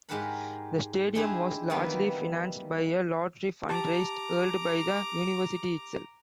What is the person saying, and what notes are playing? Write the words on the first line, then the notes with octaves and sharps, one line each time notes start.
The stadium was largely financed by a lottery fund-raiser held by the university itself.
G#2 G#3 G4 A#4 F#5 B5
G#3 D4 E4 G4 G#4
D#3 E3 F#3 G3 A#3 B3
G4 A5 A#5 D6